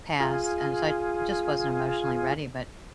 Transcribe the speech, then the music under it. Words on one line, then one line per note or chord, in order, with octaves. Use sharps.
passed, and so I just wasn't emotionally ready, but
F4 G#4